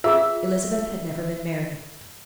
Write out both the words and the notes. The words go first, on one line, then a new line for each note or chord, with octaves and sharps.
Elizabeth had never been married.
F4 G#4 E5 E6